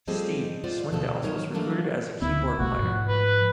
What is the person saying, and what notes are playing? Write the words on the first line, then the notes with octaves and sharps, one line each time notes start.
Steve Swindells was recruited as keyboard player.
F3 G3 A3 C4 G#4 D#5
G#3 F4 C5 D5 F#5
D2 B2 A#3 C4 A4
D#3 F#3 D#4 A#4 C#5
E3 F#3 A3 A#3 D4 F#4
D2 B3 E4
E1 B1 A3 F#4
G#2 F3
B4